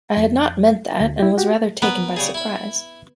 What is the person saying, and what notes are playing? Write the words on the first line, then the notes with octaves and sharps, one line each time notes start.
I had not meant that, and was rather taken by surprise.
F2
D2
E4 G4
F#4 G4
B3 A#4 B4
C#3 G3 G#4
E4 B5